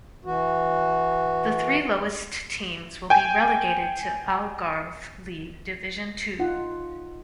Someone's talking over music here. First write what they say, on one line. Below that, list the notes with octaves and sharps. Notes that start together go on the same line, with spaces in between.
The three lowest teams will be relegated to Algarve League Division Two.
E3 F#4
G5 G#5
D#4 F4 F#5